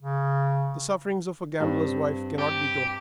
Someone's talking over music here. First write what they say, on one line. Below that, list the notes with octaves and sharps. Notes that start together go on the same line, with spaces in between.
The sufferings of a gambler's wife cannot be told.
C#3
G2 C4
G4